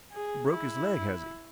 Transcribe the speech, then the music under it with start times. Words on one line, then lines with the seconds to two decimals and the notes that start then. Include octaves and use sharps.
"Broke his leg, has he?"
0.13 G#4
0.51 E4